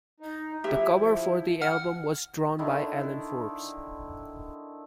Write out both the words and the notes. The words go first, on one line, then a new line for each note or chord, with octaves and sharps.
The cover for the album was drawn by Alan Forbes.
D#4
F3 E4 G4 E5
F#5 F6
D3 D#3 E4